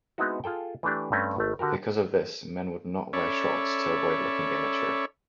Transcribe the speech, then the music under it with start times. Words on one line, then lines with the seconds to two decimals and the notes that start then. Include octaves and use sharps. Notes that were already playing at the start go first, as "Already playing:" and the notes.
Because of this, men would not wear shorts to avoid looking immature.
0.18 G#3 B3 C4 D#4 E4 F#4
0.44 F4 G#4 A4 G5
0.83 E3 A3 D4 G4
1.12 G2 A3 C4 C#4
1.38 G#1 A3
1.59 D3 F#4 G4 A#4
3.13 C#4 A4 C#5 D5 E5 B5